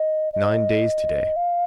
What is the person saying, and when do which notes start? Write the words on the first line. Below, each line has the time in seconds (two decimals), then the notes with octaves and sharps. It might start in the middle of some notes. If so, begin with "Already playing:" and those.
It's nine days today.
Already playing: D#5
0.33 D#5
1.36 F5